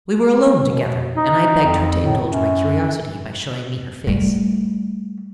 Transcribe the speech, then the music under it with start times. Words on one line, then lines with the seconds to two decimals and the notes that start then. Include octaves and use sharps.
We were alone together, and I begged her to indulge my curiosity by showing me her face.
0.68 B2
1.17 D#4
1.65 F2
2.02 A2
2.23 F#2
4.07 G3 A3